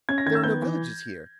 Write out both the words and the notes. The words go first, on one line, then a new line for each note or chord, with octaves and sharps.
There are no villages here?
C#4 G#6
A#6
D#3 G#6
E6
B3 G6
E3